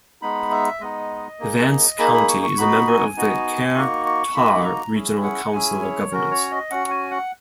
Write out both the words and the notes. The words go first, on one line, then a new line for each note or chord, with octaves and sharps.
Vance County is a member of the Kerr-Tar Regional Council of Governments.
G#3 B3 D#4 B5
E5
G#3 B3 D#4 D#5
A#3 D#4 G#4
A#3 D#4 G#4 B5
B5
C#6
C#6
B3 D#4 F#4 B5
G#5
B3 D#4 F#4
A#3 D#4 F#4 C#6
C#6
A#3 D#4 F#4 B5
A#5
C#4 E4 G#4
F#5
C#4 E4 G#4 G#5
C#5
C#4 F#4 A#4
C#5
D#5
C#4 F#4 F#5
G#5
F#5